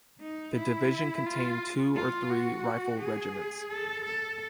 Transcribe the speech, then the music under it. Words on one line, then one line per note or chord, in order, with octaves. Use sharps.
The division contained two or three rifle regiments.
D#4
E4
F4
F4
F#4
G#4
A4
A4